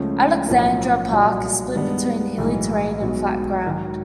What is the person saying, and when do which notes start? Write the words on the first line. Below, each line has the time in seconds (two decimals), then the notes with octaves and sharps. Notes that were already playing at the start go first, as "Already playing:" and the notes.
Alexandra Park is split between hilly terrain and flat ground.
Already playing: C#2 C#3 F3 A3 C#4
0.47 B1 A2 F3 A#3 C#4
1.11 C2 A#2 F#3
1.74 G2 D#3 G#3 B3 D4
2.38 B1 A2 E3 G#3
3.01 B1 B2 G#3 B3
3.65 G#2 D#3 F#3